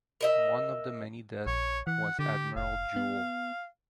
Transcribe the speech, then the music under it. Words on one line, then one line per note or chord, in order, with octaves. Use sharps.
One of the many dead was admiral Juel.
A#4 D#5 E5
A#1 C#5
E3 F#5
D3 G4
F1 F5
B3